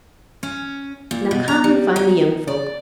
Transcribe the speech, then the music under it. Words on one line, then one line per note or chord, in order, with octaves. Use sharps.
Now, come and find the young folk.
C#4
A#2
B2
A#5
G3
D#4
D5